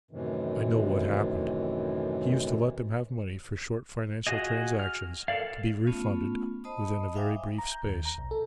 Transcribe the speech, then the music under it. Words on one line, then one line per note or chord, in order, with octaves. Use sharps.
I know what happened--he used to let them have money for short financial transactions--to be refunded within a very brief space.
F#2 A2 C3 D#3 E3
F4 F#4 G#4 D#5
F6
A4 A#4 D5 F5
A3 B3 C#4 F4
C5 D#5 A5 B5 D#6
E5 F5 G5 G#5 D6 D#6
A#5
G6
D#2
A#5
B1
A4